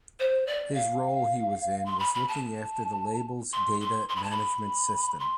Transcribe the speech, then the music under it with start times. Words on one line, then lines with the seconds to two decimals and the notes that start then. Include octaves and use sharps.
His role he was in was looking after the labels data management system.
0.20 C5
0.47 D5
0.75 F5
1.86 C6
1.99 B5
2.14 B5
2.28 A5
3.53 C6
3.81 C6
4.09 C6
4.16 B5
4.24 A5
4.31 B5
5.20 C6